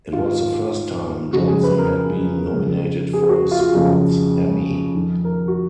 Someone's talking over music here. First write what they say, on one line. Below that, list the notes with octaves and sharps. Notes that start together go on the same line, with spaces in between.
It was the first time Johnson had been nominated for a Sports Emmy.
G#2 D#3 F4
F2 C#3 F#4
G#4
B4
A#4
F2 C#3
G#4
F#4
F4
F#4
F2 C#3
F2 D#3
A#4
F#4